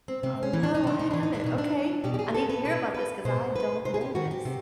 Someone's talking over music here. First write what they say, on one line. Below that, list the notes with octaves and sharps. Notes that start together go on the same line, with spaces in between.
Oh, no, I haven't. Okay. I need to hear about this 'cause I don't know this.
C4
C3 C4
C#4
E3
D4
D#4
C3 D4
D#4
E3 D4
D#4
D4
B2 D#4
D4
B2 G4
G4
G#4
A4
B4
B2 B4
B4
B2 C5
B4
C3 C5
G#4
G4
D#3 F#4
G4
C3